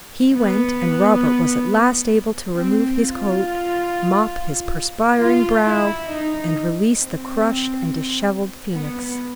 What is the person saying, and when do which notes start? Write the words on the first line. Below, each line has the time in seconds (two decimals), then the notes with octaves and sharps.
He went, and Robert was at last able to remove his coat, mop his perspiring brow, and release the crushed and dishevelled Phoenix.
0.34 B3
2.55 C4
2.98 F4
5.19 F4
5.63 E4
6.08 D#4
6.96 C4
8.73 B3